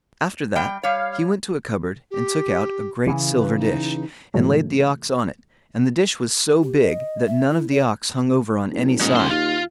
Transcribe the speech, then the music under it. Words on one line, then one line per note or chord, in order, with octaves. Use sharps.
After that, he went to a cupboard and took out a great silver dish, and laid the ox on it; and the dish was so big that none of the ox hung over on any side.
G3 G5
G3 C#5 F5
G4
C#3 E3
B4
D#4
G#2 C3 E3 F#3 G#3 A3
G4
D#5
E5
E4
C#5
F#1
D#1 G#3 D#4
C#3 C6
D#2 F4